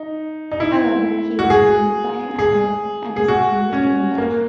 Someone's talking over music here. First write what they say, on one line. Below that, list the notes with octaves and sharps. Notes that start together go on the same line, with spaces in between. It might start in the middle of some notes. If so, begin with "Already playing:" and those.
However, he was wounded by an arrow and his army was driven back.
Already playing: D#4
D#4
E4
F#4
G#4
G#4
G#4
F#4
C#4
A#3